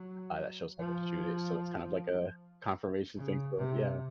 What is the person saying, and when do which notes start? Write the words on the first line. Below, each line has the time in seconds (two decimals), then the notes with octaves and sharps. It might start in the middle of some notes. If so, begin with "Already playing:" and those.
uh, that shows how they shoot it. So it's kind of like a confirmation thing. So, yeah.
Already playing: F#3
0.79 F3
3.17 C#3
3.56 C3